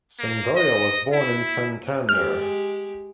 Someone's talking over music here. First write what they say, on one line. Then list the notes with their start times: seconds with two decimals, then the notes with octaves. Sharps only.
Cendoya was born in Santander.
0.19 A#3
0.56 D#5
1.13 E4
2.09 G#3 G4 F6